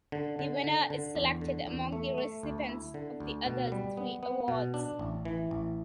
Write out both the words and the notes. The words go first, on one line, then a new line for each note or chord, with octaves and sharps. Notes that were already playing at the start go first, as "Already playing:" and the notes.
The winner is selected among the recipients of the other three awards.
D3
D3
D3
D3
E2
D3
E2
A3
A3
D2
E4
D3
D2
B2
G3
B3
B3
B2
D4
A1
E3
A1